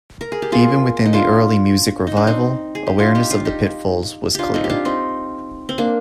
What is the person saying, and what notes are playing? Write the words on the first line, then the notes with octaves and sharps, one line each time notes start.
Even within the early music revival, awareness of the pitfalls was clear.
A#4
G#4
G4
F4 G#4
D#4
D4 F4
D#4
D4
C4 D#4
G#4
G4
D4 F4
D#4 G4
D4 F4
D#4 G4
D4 F4 G4
C4 D#4
G4
D4 F4
C4 D#4
C4
A#3 D4